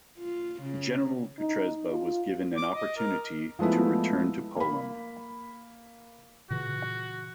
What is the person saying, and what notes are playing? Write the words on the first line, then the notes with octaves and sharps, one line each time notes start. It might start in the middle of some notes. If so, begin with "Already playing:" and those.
General Kutrzeba was given an opportunity to return to Poland.
F4
C#3
D#4
F4
D6
D#5
A#4
F3 G#3 A3 B3 E4
A#3 B5
A#2 C#3 E3 F#4